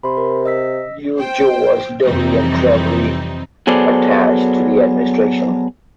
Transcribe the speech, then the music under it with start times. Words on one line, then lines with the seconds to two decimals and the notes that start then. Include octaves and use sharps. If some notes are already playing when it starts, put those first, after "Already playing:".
Yrujo was doubly and trebly attached to the Administration.
0.03 C3 B5 C6
0.17 A#4
0.45 D#5 E6 B6
1.18 C5 G5
2.04 F2 C3 E3 G3 C4 D#4
3.67 F#3 B3 G#4 A4 C5 D5